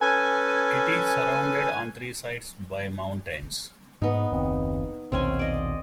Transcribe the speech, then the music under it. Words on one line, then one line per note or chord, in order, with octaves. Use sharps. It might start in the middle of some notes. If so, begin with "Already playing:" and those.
It is surrounded on three sides by mountains.
C#4 A4 B4 G#5
G#2 B3 D#4
F#1 D#2 C4
A#1 D#2 B2 C4 C#4 G#5
D5 D#5